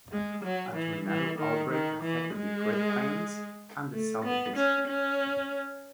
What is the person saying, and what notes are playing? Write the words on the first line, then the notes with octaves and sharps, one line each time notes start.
A tornado outbreak affected the Great Plains and the Southeast.
G#3
F#3
E3
E3
D#3
D#3
E3
G#3
A3
B3
C#4
C#4